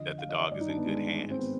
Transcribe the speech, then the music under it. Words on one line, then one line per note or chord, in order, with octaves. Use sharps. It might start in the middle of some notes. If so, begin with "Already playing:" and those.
that the dog is in good hands.
Already playing: F2 D3 D#5
F5
D#5
D#5
G2 D#3 D5
D#4
D4
B3
G#3
G#2 D#3
C4
B3